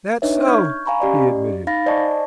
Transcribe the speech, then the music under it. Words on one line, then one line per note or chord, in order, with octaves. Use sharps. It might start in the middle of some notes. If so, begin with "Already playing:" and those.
"That's so," he admitted.
D4 D#4 B4 C#5 D#5 E5
C#6 F6 G6 G#6
F5 G#5 A#5 B5 C#6
C#4 G4 D5 D#5
D#4 F5 B5 A6 A#6
C5 D5 D#5 G#5 A5 C#6